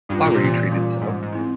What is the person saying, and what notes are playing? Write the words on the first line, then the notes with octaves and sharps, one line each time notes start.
Why were you treated so?
G2 G3 C#4 F4
A#2
C3
A#2 E3
G3 C#4 F4
G#2 G3
G#2
C4 E4